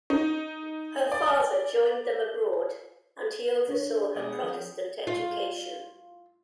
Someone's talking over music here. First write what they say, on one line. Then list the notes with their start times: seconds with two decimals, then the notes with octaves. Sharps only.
Her father joined them abroad and he oversaw her Protestant education.
0.10 D#4
1.12 D5
3.68 D4 C#5
4.16 B2 G#3 G#4 D5
4.30 B3
4.43 F3 C4
5.07 F4